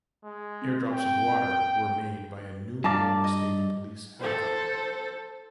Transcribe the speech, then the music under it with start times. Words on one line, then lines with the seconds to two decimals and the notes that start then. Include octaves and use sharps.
Airdrops of water were made by a New York State Police helicopter.
0.24 G#3
0.62 C4
0.92 G5
2.84 G2 D5 F5 A5 A#5
3.24 D#5
4.20 A4 C5